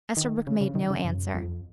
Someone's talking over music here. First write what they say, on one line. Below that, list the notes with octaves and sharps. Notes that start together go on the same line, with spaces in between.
Esterbrook made no answer.
D#3
C#3
C#3
D#3
C#3
F#2
F2